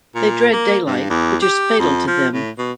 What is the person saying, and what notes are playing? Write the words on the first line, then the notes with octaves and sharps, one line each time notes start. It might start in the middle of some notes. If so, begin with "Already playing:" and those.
They dread daylight, which is fatal to them.
A#2
A#3
G2
E2
G4
F2
F3
A2
B2